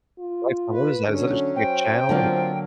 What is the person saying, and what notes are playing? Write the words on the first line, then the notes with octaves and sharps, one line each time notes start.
Lifetime, what is that? Is that just, like, a channel? Like
F4
B4
D3 F#3 C#4
C5 G5
D3 F#3 A#3 C4 F4